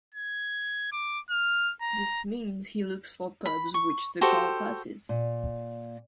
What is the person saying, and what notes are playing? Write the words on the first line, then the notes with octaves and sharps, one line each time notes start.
This means he looks for pubs which the car passes.
G#6
D6
F6
A#5
B5
C#6
F#4 G4 A4 C5
A#2